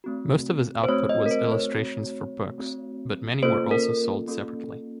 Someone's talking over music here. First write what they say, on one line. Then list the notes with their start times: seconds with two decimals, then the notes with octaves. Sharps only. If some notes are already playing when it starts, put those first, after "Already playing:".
Most of his output was illustrations for books, but many were also sold separately.
0.04 A3 C4 F#4
0.83 C5
0.88 A3 C4 F#4 C#5
1.09 D#5
1.26 A#4
1.31 C5
1.52 C#5
1.73 A3 C4 F#4
2.58 A3 C4 F#4
3.43 A#3 C#4 F4 A4 C5
3.71 A#4
4.28 A#3 C#4 F4 A4